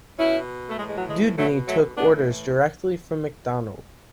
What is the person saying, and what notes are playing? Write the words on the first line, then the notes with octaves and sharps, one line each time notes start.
Dewdney took orders directly from Macdonald.
B2 C#4 E4
A3
A2 E3 G#3
G#3
F#3
G#3
B2 F#3 A3
F#3 A3
A2 E3 B3 D4